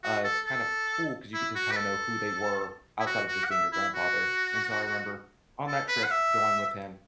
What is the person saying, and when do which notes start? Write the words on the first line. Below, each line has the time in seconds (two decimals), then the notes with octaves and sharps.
uh, it's kind of cool 'cause you get to kinda know who they were outside of just being your grandfather, and so I remember on that trip going with him,
0.04 F#4
0.24 A4
0.46 A4
1.34 E4
1.55 F#4
1.72 B4
1.77 A4
3.00 E4
3.07 F#4
3.28 F#4
3.45 F#5
3.51 E5
3.73 E4
3.94 F#4
5.68 A4
5.88 B4
6.04 F#5
6.11 E5